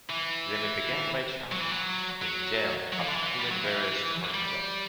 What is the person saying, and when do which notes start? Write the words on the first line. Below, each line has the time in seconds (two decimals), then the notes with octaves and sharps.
They meet again by chance in jail after pulling various con jobs.
0.10 E3
1.52 F#3
1.61 E3
1.71 F#3
2.22 F#3
2.93 F#3
3.00 E3
3.07 D3
3.16 E3
3.39 G3
3.51 F#3
3.64 E3
4.34 G3